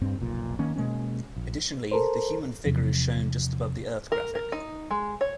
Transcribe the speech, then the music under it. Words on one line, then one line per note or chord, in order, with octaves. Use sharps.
Additionally, the human figure is shown just above the Earth graphic.
G2 C4
F1 B1 A#2
D#3 A#3 C#4
B2 G#3 A#3 C#4
A#1
A4 A#4 C5
E2 C3 F3
A#4
A#4
D#4
G#3
C#5